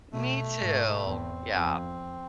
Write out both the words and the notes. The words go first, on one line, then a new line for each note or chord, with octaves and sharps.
Me too, yeah.
B2 A3
G#2
E2 C4
F2